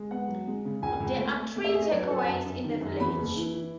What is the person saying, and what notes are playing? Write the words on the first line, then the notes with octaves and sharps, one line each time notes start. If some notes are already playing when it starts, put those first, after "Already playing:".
There are three takeaways in the village.
Already playing: G#3
B3 F#5
F#3
G#3
C#3
C#2 G#5
C#2
A3
A3
A3
E5
A4
A3 G#4
D#5
F#3 C#5
B4
F#3 A4
G#5
F#2 A5
F#2
D#3
F#2
E2 B5
F#1
E3
E3